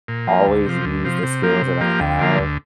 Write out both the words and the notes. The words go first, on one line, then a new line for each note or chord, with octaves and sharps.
Always use the skills that I have
A#2
F3 A#3
D2
C3 F3
D2
C3 F3
C3
F3 A#3 G4
C3
F3 A#3 G4
D2
D3 F3 A#3
D2